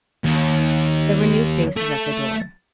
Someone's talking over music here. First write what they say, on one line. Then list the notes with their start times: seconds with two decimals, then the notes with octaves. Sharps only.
There were new faces at the door.
0.24 D#2
1.77 A3